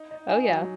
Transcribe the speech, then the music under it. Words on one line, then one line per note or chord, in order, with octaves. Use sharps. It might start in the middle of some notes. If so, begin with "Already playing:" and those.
Oh, yeah.
Already playing: D#4
D#4
D#4 G#5
F#3